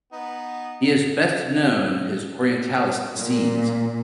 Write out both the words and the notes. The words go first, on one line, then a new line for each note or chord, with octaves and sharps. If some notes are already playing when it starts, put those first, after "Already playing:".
He is best known his Orientalist scenes.
B3 D#4
A#2